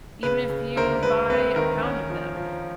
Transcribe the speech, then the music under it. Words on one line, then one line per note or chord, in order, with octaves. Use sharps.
even if you buy a pound of them.
C#3 B4
C#3
D2 A#4 C5
G#3 B4
C4 B4
D#3 A#4
C#4
F3
F3